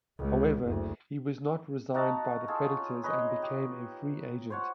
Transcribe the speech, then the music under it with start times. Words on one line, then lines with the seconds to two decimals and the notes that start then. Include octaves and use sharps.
However, he was not re-signed by the Predators and became a free agent.
0.18 C#2
0.64 F#1 D2
1.94 D#4 F#4 F5 A5
2.48 F4 G#4 A4
2.65 C#5
3.03 G#4 B4 C#5 D#5
3.42 G4
4.50 C5 C#5 F#5